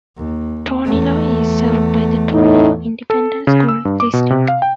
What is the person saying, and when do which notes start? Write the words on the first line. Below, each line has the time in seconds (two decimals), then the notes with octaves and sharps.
Tornillo is served by the Tornillo Independent School District.
0.17 D#2
0.85 E2 A3
2.32 A2 D#4
3.10 A4
3.47 C#3
3.69 E6
3.85 G2
4.00 D6
4.13 B2
4.30 C3
4.48 F5
4.62 G5